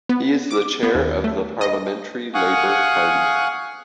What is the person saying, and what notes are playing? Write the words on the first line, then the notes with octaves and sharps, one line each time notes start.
He is the Chair of the Parliamentary Labour Party.
B3
D6
B3
D#2
A3
D#5
F5 F#5 G#5 C#6 D#6 F#6